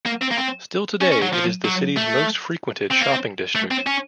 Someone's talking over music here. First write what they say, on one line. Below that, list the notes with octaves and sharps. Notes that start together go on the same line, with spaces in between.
Still today it is the city's most frequented shopping district.
A#3
C4
A#3
C4
C#4
C#4
F#3
F3
F#3
A3
C4
A#3
C4
A3
C4
C#4